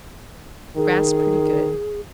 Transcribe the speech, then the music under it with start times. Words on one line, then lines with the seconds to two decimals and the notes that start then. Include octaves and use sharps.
Grass pretty good.
0.77 D#3 G#4